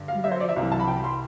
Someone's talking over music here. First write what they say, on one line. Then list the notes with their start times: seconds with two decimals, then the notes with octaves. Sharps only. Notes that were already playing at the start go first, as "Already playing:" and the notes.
Right, mhm.
Already playing: G2 D3
0.08 F5
0.24 E5
0.31 C5
0.40 D5
0.49 E5
0.56 C2 C3 E3 F5
0.72 A5
0.80 B5
0.88 G5
0.97 B5
1.04 C6